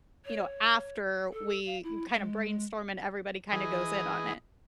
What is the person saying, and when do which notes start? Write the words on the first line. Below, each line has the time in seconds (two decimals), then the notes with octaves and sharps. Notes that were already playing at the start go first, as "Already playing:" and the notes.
you know, after we kinda brainstorm and everybody kinda goes in on it.
0.26 C#5
1.33 A4
1.66 F5
1.83 E4
2.14 G#3
3.52 E3 G#4 D#5